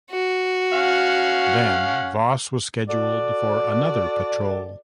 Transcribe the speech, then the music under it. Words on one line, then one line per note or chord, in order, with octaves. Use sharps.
Then Voss was scheduled for another patrol.
F#4
C#4 F5 F#5
F#4 A4 D5